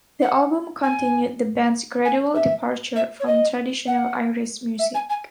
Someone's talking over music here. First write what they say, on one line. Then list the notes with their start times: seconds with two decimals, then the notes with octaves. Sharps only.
The album continued the band's gradual departure from traditional Irish music.
0.22 F#5
0.83 G#5
2.05 G#5
2.35 E5
2.96 E5
3.20 C#5
3.27 D#5
3.87 F#5
4.79 E5
4.95 G#5
5.10 G#5